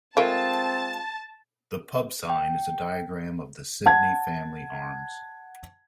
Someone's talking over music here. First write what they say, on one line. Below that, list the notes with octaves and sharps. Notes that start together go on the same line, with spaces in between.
The pub sign is a diagram of the Sydney family arms.
G#3 A3 C4 F4 A#4 F5 A5
G5
F#5 A5 G#6